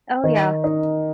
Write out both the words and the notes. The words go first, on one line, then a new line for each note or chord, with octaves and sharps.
Oh, yeah.
D#3
D#4